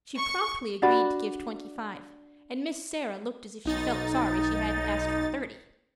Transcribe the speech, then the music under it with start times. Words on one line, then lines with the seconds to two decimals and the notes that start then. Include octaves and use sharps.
She promptly agreed to give twenty-five and Miss Sarah looked as if she felt sorry she hadn't asked for thirty.
0.18 C#6
0.82 D4 F#4 D5 B5
3.65 B1 D#4 A6